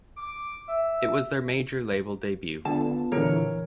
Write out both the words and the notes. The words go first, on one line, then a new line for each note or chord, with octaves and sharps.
It was their major label debut.
D6
E5
D3 B3 F4 A5
A#2 D3 E3 A#4 C#5